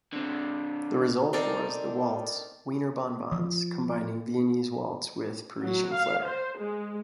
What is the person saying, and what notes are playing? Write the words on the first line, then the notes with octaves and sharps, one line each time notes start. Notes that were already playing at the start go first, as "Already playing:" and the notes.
The result was the waltz 'Wiener Bonbons' combining Viennese waltz with Parisian flair.
D3 C4
C4 D4 D#4 A4 A#4 D5
F3
F#3
F5
C5
G#3